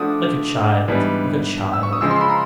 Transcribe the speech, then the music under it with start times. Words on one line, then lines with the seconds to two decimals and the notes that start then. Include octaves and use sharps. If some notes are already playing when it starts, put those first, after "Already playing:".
Like a child, like a child.
Already playing: F3 A3 D4 F#4 A4 D6 D#6
0.88 G#2 E3 G3 B3 D4
1.74 E6
1.83 C#6
1.93 D#6
2.01 C#3 F3 G#3 E6
2.11 C6
2.21 B5
2.30 A#5